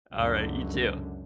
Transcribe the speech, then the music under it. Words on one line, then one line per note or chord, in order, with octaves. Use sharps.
Alright, you too.
C#2 F#2 D3